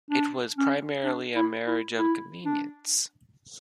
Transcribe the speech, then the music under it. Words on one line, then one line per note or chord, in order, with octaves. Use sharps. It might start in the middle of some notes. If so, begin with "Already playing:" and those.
It was primarily a marriage of convenience.
D4
C#4
D4
E4
E4
E4
D4